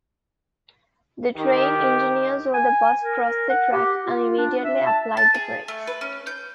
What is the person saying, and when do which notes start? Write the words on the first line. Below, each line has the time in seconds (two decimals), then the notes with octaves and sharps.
The train engineer saw the bus cross the tracks and immediately applied the brakes.
1.36 D#3 G4
2.54 G#5
3.03 A#4
3.50 F#5
3.73 G4
4.05 F4
4.38 D4
4.63 E5
4.87 A5
5.17 A5
5.35 G#4
5.68 A3
5.87 B4
6.01 C#4
6.27 G6